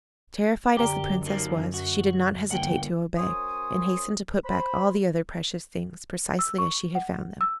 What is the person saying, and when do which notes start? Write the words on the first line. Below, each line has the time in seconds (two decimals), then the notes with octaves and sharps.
Terrified as the Princess was, she did not hesitate to obey, and hastened to put back all the other precious things precisely as she had found them.
0.77 F#2 D3 G4 A#5 D6
1.26 A#2 D#3 A#3
1.74 F#4
2.51 G1 A#3 F#5 G5
3.17 F#2 C5 C#5 G#5 D#6
4.45 C5 B5
6.39 E6
6.58 C#6
6.95 F#5
7.41 E6